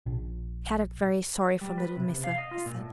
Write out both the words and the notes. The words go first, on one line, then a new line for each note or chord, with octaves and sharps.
"Kadok very sorry for little Missa," he said.
A#1
G3
B4
C3
C3
F5
D#5
F4
A#2
A2